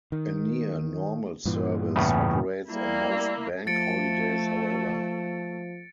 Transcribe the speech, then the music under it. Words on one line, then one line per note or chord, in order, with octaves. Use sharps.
A near normal service operates on most bank holidays however.
D#3
G2 A#2 E3
E2 A2 C#3
G3 A#3 E4
F3 A3 A6 C#7 D7